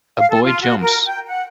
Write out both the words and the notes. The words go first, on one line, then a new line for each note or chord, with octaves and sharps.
A boy jumps.
F5
A4
F4
F#4
A#4
G5
F#5